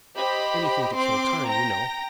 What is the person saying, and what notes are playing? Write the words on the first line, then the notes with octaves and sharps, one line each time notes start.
"Anything to kill time, you know."
G4 C5 D#5 B5
C4 C6 D6
G5 A#5 A#6